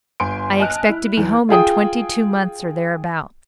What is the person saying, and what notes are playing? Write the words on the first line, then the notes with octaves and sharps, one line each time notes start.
I expect to be home in twenty-two months or thereabouts.
G1 G#5 C6 D7
D#5 G#5 A5 F6 F#6 D7
E4
E2 E3
F4 G#4 G5 D#6